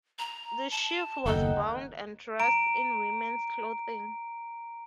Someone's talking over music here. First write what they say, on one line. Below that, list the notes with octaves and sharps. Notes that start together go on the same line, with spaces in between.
The sheaf was bound and dressed in women's clothing.
A#5
A5
F#1 D#2 D#4 A4 F#5 G5
A#5 D7